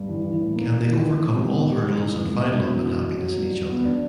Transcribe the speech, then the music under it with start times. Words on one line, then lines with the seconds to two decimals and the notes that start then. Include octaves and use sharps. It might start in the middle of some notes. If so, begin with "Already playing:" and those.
Can they overcome all hurdles and find love and happiness in each other?
Already playing: G2
0.09 E3
0.25 E3
0.41 A2
0.56 A#3
0.72 A#2
0.88 E3
1.03 E3
1.19 F3
1.34 C3
1.50 B3
1.66 G3
1.82 C#3
1.97 E3
2.13 F2
2.28 A#3
2.44 B2
2.60 B2
2.75 E3
2.91 F#2
3.07 F#3
3.22 F#3
3.38 G2
3.54 F#3
3.69 B3
3.85 D4